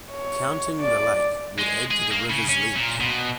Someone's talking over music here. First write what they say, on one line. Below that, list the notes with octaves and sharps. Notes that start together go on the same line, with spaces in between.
Counting the lake would add to the river's length.
C#5
D5
G#3
G#4
A#3
C#3
C#4
A#2
B2